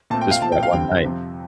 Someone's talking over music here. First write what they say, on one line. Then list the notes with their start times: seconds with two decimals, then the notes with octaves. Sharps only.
just for that one night.
0.10 A#2 A3 C4 A5
0.21 G5
0.31 F5
0.42 A#2 F3 C4 A5
0.52 G5
0.63 F5
0.73 D3 G3 C4 G5
1.04 F2 C3 F3 C4